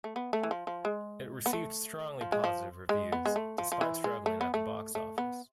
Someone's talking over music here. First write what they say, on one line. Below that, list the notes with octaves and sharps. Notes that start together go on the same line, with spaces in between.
It received strongly positive reviews despite struggling at the box office.
A3
B3
A3
E3
F3
F3
G#3
B3
A3
F3
G#3
F3
G#3
B3
G#3
A3
F3
F3
E3
G#3
A3
B3
A3
A3
B3